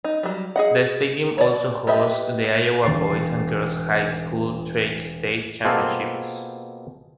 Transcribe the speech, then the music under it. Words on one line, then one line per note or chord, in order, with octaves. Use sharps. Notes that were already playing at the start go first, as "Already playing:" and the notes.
The stadium also hosts the Iowa boys and girls high school track state championships.
D#4
F#3 G3
G#4 D#5 F#5
C#5 D5
B3 G4 B4 D#5 E5
E1 A6 C7
B2 A#3 C4 F4 G#4 A4